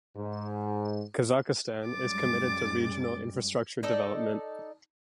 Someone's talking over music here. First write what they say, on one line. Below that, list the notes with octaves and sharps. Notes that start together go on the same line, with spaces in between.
Kazakhstan is committed to regional infrastructure development.
G#2
F#2 G3 G#3 D6 A6
D#4 A4 D5 D#5